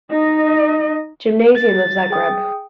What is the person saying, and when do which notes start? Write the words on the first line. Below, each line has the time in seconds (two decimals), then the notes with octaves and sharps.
Gymnasium of Zagreb.
0.10 D#4 D#5
1.55 A6
2.10 G#4 G5 D#6